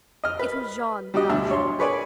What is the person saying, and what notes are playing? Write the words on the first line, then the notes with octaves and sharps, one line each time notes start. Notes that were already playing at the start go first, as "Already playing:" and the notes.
It was Jean Valjean.
D#5 F6
B4
G3 D4 F#4 G4 D#5
D2 B2 D4 E5
C#5 C6
G#4 B4 C#5 D5 G#5